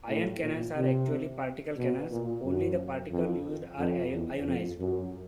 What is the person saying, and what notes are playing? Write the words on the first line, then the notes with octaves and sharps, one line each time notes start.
Ion cannons are actually particle cannons; only the particles used are ionized.
A2
A#2
C3
B2
A#2
F#2
F2
F2
E2
F2
F#2